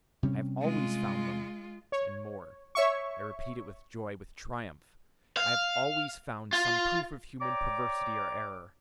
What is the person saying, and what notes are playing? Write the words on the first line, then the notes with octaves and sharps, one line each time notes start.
I have always found them; and more,--I repeat it with joy, with triumph,--I have always found some proof of human perversity or error.
C3 G3 C#4
G#3 F4
C#5
C#5 E5 C#6
F5
F4
C#5 D5 G5 A#5 D6